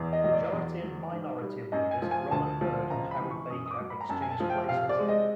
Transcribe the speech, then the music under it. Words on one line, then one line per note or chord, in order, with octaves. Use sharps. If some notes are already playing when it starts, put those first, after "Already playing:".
Majority and minority leaders Robert Byrd and Howard Baker exchanged places.
Already playing: E2
D#5
F#3 D#5
D5
E2
F#3
G#2
G3
F#2 D#5
G#5
F3
G#5
D2 A5
F3
C#2 A#5
B5
E3
C#6
F#2 D#6
D#6
D6
F#3
B5
A#5
F#2 A5
G#5
A5
F3
G5
C3 F5
D5
G#3
D#5